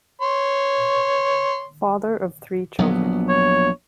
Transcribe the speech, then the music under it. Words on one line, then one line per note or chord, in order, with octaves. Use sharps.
Father of three children.
C#5 C6
A#1 F#3 B3
C#5